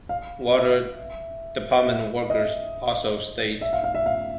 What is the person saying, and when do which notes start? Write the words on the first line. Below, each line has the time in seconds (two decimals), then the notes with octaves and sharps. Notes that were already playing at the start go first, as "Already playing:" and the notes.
Water department workers also stayed.
0.09 F5
0.53 E5
1.86 E5
2.30 D#5
3.61 E5
3.73 F5
3.84 F5
3.95 E5
4.06 F5